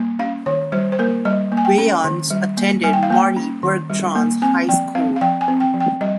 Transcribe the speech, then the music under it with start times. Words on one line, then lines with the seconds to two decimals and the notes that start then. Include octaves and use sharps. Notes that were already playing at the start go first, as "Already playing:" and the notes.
Wayans attended Murry Bergtraum High School.
Already playing: G3 A#3
0.19 C#4 F5
0.46 D#3 C#5
0.72 G3 C5
0.92 C5
0.99 A#3 A#4
1.25 G3 D#5
1.52 A#3
1.57 G#5
1.65 G5
1.78 C#4
2.04 D#3
2.30 G3
2.57 A#3
2.84 G3 G#5
2.93 G5
3.03 F5
3.10 A#3 G5
3.36 C#4
3.63 D#3
3.90 G3
4.15 A#3
4.42 C4 G#5
4.69 F3 G5
4.95 C4 F5
5.16 F5
5.21 F3 G5
5.41 G#5
5.48 C4
5.60 G5
5.74 F3
5.80 G5
6.01 G3 D#5